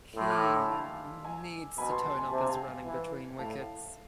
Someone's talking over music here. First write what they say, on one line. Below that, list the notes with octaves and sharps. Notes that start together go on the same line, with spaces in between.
He... needs to tone up his running between wickets.
A2 C6 E6
D6 F6
C6 E6
G#5 B5
F5 A5
G#5
B2 G#5 B5
A5 C6
A5 C6
G#5
C3 A5
G#5
F5 A5
E3
A2 F5 A5